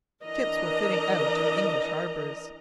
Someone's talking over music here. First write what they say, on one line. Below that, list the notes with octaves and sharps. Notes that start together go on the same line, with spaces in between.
Ships were fitting out in English harbours.
E3 D4 A#4 D#5 A#5